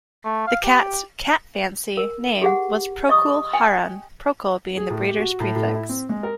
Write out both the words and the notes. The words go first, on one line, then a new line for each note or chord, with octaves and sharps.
The cat's "Cat Fancy" name was Procul Harun, Procul being the breeder's prefix.
A3
F5
G4
A#4
G4 G#4 F#5
D#5 C#6 D#6
G5 G#5
G#4
A2
G4
F#4
A2
A2
E4
C4
G#3
A#4